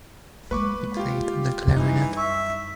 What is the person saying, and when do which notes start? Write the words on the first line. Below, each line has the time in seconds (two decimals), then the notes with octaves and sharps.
He played the clarinet.
0.51 G#3 A#3 B4 C#6 D6
0.97 F4 G4
1.76 F#2 E3 G3 D#4
2.17 E5 C#6